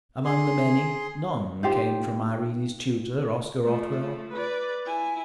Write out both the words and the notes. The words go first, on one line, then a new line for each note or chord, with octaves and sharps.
Amongst the many, none came from Irene's tutor, Oscar Otwell!
G#4 C6
D#4 F4 G4 C5
F3 A3
B4 D5
E4 G#5